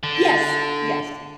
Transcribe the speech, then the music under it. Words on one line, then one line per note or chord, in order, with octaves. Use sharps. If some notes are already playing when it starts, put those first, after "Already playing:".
Yes. Yes.
D3